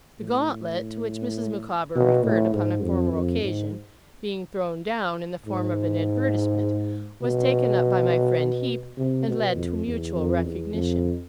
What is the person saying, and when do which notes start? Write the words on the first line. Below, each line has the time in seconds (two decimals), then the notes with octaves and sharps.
The gauntlet, to which Mrs. Micawber referred upon a former occasion, being thrown down in the form of an advertisement, was taken up by my friend Heep, and led to a mutual recognition.
0.20 A2
1.96 B2
2.25 A2
2.54 G#2
2.83 F2
3.13 F2
3.42 G#2
5.46 G#2
7.22 B2
8.97 C3
9.27 B2
9.56 F2
9.86 E2
10.14 F2
10.43 E2
10.73 F2